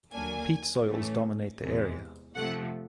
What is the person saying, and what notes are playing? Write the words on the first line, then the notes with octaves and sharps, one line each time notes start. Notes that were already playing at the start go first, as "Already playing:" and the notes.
Peat soils dominate the area.
D#2 D3 F#3 A#3 D4 G#5
A2 E3 A3 C#4
E2 C3 E3 G#3
F2 C3 F3 A3 F#5